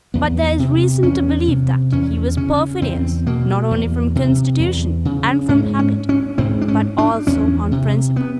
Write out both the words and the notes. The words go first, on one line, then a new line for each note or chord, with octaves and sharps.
But there is reason to believe that he was perfidious, not only from constitution and from habit, but also on principle.
E2 B3
C3
E2 C#4
C3
E2 C#4
C#3 C#4
E2 C4
B2 A#3
E2
C3
E2
C#3
G#2 C#4
C#4
C#4
G#2 C4
D4
C#4
D4
E2 C#4
C3
B3